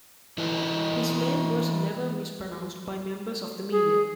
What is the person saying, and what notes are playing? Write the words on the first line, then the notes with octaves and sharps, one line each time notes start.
His name was never mispronounced by members of the media.
E3 E4 A4 B4 D#5
G#4